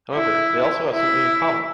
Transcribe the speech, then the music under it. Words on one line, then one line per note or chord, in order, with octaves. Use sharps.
However, they also have something in common.
E4
E4